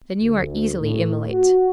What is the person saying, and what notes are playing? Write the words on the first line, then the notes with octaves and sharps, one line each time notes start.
Then you are easily immolate!'
D2
A2
F#4